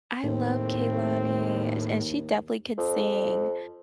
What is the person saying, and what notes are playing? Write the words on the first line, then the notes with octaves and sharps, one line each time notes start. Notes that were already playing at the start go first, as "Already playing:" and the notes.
I love Kehlani, a and she definitely could sing.
D#2 A2 C4
F2